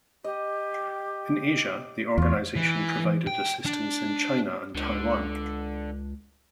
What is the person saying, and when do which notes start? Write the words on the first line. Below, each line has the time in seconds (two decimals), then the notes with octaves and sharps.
In Asia the organization provided assistance in China and Taiwan.
0.24 G4 D#5
2.18 E2 F4 C#5
2.56 E3
3.27 G5
3.66 D4
4.75 C#2 D3